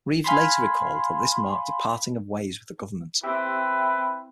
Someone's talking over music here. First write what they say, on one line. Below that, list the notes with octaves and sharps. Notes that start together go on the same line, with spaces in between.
Reeves later recalled that this marked a "parting of ways" with the Government.
F5 G#5 B5 C6
C4 E4 G4 B4 E5